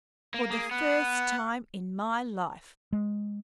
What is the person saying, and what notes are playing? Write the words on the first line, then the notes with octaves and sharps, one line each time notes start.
"For the first time in my life!"
A#3
A#3 G#4
B3 F#5
G#3